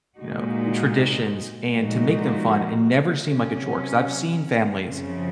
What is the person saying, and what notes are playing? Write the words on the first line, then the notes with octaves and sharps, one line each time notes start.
you know, traditions and to make them fun and never seem like a chore. 'Cause I've seen families
A#2 G#3 D#4 F#4
A#2 F3 G#3 D#4 F#4
C3 F#3 C#4
F#2 C#3 F3 C4